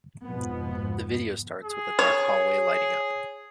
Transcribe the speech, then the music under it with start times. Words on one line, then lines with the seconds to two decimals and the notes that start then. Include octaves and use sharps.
The video starts with a dark hallway lighting up.
0.25 F1 G#2 B2 F3 B3
1.64 G#4
1.99 C#5